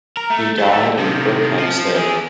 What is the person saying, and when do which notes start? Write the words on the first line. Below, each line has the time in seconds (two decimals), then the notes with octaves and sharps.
He died in Berkhamsted.
0.17 A#4
0.30 A3
0.59 G3 A4
0.99 C3 D#3
1.58 F3
1.95 E3 G#4